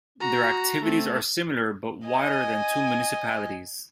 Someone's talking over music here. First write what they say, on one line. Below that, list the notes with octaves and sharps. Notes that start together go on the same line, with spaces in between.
Their activities are similar but wider than to municipalities.
F#4 A#5
A3 C4
D#5 G#5